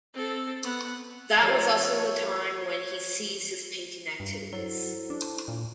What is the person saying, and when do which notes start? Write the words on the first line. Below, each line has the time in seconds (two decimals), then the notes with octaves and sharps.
That was also the time when he seized his painting activities.
0.14 C4 A4
0.63 B3 F#5
1.43 F3 F#3 G4 C#5 G6 A6
4.20 G2
4.53 F#3 E4 A4 C5
5.10 D4
5.48 A#2